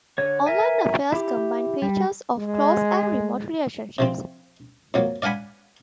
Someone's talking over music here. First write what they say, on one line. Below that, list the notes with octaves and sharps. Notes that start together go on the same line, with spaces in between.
Online affairs combine features of close and remote relationships.
D3 C#5
A#4 E5 G#5
E4 G4
G3
G#3
C3 F3 C4
F2 F#3 A#3
D5 F5 F#5 G#5 B5